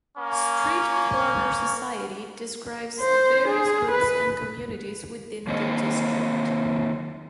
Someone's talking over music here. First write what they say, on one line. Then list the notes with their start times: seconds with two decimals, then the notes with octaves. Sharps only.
"Street Corner Society" describes various groups and communities within the district.
0.17 A#3 C#4
3.01 C5
3.48 G#4
3.91 B4
5.47 D#3 A#3 C4 C#5 D#5